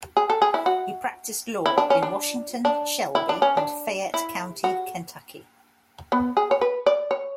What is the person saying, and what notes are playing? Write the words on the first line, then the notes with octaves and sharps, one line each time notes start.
He practiced law in Washington, Shelby, and Fayette County, Kentucky.
G#4
A4
G#4
E4
F#4
E4
D4
C#4
D4
D4
E4
D4
C#4
D4
E4
F#4
B3
G#4
C#5
B4
D5
C#5